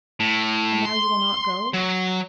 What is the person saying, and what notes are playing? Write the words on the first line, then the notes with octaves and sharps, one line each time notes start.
"And now you will not go?"
A2
C6
F#3